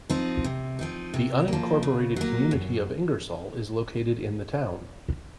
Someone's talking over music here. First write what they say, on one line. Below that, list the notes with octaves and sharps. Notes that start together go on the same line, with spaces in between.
The unincorporated community of Ingersoll is located in the town.
F3 C4 D#4
C3
F3 C4 D#4
C3
F3 A#3
C#3
F#3 A#3
F#2